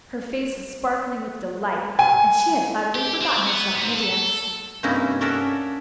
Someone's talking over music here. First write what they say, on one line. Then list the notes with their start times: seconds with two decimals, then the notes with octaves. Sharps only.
Her face was sparkling with delight and she had utterly forgotten herself in the dance.
1.99 G#5
2.95 G4
3.21 C4
3.46 B3
3.75 G#2
3.95 A4
4.83 G2 C3 A#3 C#4 D#4 E4
5.21 C#4 A4 A#4 D5 E5 F#5